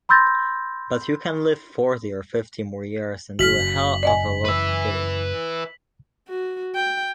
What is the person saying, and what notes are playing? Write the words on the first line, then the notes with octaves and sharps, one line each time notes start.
But you can live forty or fifty more years and do a hell of a lot of good.
B5 C6 E6 G6 A6 A#6
F#1 F#4 F6 B6 F#7
D5 D#5 G#5
B4 E5
F#4
G5